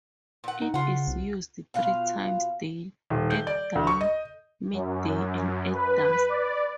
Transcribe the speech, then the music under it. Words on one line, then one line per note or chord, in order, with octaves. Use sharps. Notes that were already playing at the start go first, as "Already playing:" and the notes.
It is used three times daily: at dawn, mid-day and at dusk.
A#2 F#5
D#4
C#3 F4 F#5
C2
B2 F4 F5
D#1
G6
D5
D2
C#6
D#5
F#2
B4
D5